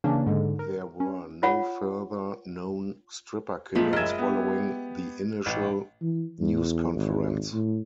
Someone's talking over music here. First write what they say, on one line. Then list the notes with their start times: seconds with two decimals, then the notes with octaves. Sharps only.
There were no further known Stripper killings following the initial news conference.
0.04 C#3 E3 A#3 C#4 D4
0.26 G#2 D3 G#3
0.59 A#4
1.00 C#4
1.43 F4 C#5 F#5
3.75 A#2 F3 G#3 A3 B5
3.93 F#1 D#5 E5 G#6
4.18 B3 G4
5.46 A1
6.02 E3
6.40 E2
6.95 G#1
7.53 A2